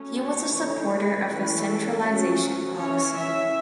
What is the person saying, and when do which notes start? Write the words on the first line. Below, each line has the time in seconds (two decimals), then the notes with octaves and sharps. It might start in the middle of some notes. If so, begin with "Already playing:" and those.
He was a supporter of centralization policy.
Already playing: F#3 A3 C#4
0.15 C#5
0.52 E3 A3 C#4
0.90 B4
1.28 E3 A3 C#4
1.65 A4
2.02 F#3 C#4 F#4
2.77 E3 C#4 C#5
3.15 E5